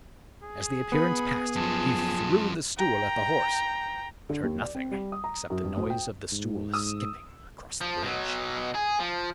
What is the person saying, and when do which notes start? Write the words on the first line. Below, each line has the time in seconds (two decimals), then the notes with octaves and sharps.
As the appearance passed, he threw the stool at the horse, but heard nothing except the noise of the stool skipping across the bridge.
0.43 G#4
0.92 B3 B5
1.56 F#2 F3 A5
2.77 G5 A#5
4.29 D3
4.43 D#2
4.62 D5
4.75 C4
4.91 G3
5.12 D#6
5.24 A#5
5.50 F#2
5.64 G2
5.77 D2
5.90 G5
6.32 G#2
6.73 D#6 E6
7.81 F3
8.03 B2 F#3
8.75 G#4
8.99 F3